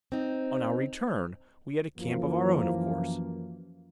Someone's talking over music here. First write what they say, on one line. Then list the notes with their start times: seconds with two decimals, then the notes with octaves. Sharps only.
On our return, we had a camp of our own, of course.
0.12 C4 D#4
1.98 F#2 E3 F3 A#3